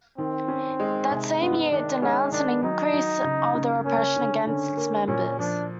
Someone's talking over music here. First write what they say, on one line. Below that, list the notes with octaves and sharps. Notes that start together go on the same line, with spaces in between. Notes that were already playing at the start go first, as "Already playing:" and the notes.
That same year it denounced an "increase of the repression against its members".
D#3 C4
C#4
G#3
C3
G2 B3
D#3 D4
G#3 C#4
D#3 D4
F#3 D#4
F#3
C#3
C#3
A#3 C#4
D3
D3 C#4
A#3
A#2 C#4
F3 D4